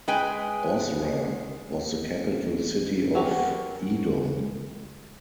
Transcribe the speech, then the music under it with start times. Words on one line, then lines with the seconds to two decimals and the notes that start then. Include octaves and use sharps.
Bozrah was the capital city of Edom.
0.08 G#3 B4 G5 G#5
3.15 F#3 C#4 F#4 G4 A#4